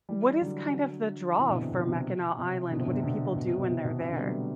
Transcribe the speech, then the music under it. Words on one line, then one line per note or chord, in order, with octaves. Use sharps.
what is, kind of the draw for Mackinac Island? What do people do when they're there?
E3 G3
D3 F#3
C3 E3
B2 D3
C3
B2
C3
C3
B2 D3
C3
B2 D3
C3
B2 D3
B2
C3
B2
C3
B2
C3
B2 D3
G3 B3
F#3 A3